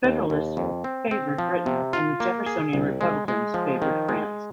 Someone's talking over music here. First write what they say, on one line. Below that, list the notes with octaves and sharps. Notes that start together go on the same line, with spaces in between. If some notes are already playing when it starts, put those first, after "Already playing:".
Federalists favored Britain and the Jeffersonian Republicans favored France.
D#2
D#2
F2
C4
C4
F3
C3
F4
A#3
G#4
C2
G#3
G#3
F3
D#3
G#3